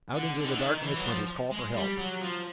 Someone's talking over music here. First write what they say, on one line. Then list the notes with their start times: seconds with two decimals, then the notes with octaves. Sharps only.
Out into the darkness went his call for help.
0.14 D3
0.37 D3
0.44 D#3
0.52 D3
0.59 D#3
0.82 E3
0.96 F#3
1.06 F3
1.51 G#3
1.74 G3
1.97 F#3
2.21 F3